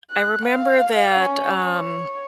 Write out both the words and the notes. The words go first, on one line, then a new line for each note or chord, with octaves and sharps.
I remember that, um
F#6
F5
C#4
C#5